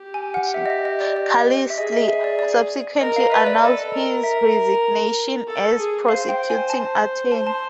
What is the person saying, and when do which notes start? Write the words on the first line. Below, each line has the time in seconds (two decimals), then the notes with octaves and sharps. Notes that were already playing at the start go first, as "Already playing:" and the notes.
Carlisle subsequently announced his resignation as prosecuting attorney.
Already playing: G4
0.14 G#5
0.34 F#5
0.54 E5
0.66 D#5
0.70 E5
0.85 D#5
1.00 D5
1.16 D#5
1.57 D#5
1.70 E5
1.78 G#4 D#5
1.93 E5
2.08 E5
2.24 D5
2.39 D5
3.01 A#4 D#5
3.16 F5
3.31 B4 E5
3.47 D5
3.62 A4 D#5
3.93 A#4
4.24 E5
5.47 A4
5.78 G#4
6.09 C5 F5
6.29 G5
6.50 G#5
6.70 A5
7.32 C5 A5
7.47 A5